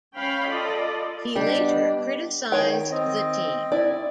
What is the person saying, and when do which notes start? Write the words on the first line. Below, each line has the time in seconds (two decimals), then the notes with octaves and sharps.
He later criticised the team.
0.17 C#4 C#5 F5 G5 B5
0.47 F4 A4 D5 D#5
1.35 G3 B3 D4 D#5
2.52 D#3 C#5 G5
2.91 C4 D#5
3.72 E4 D5